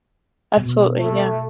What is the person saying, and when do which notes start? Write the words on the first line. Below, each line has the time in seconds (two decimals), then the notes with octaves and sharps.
Absolutely, yeah.
0.57 B2
0.96 A3